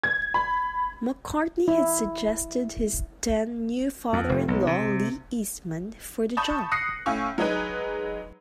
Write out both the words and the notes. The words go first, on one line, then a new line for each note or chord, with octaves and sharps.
McCartney had suggested his then new father-in-law Lee Eastman for the job.
G#6
B5
E4
F2
F1
B1
C3
A5 B5 C#6 D#6 G6
D#6 F#6 A#6 C7 C#7
A2 C#4 F5 G#5 C#6 E6
F#3 G#3 D#4 G#4 B4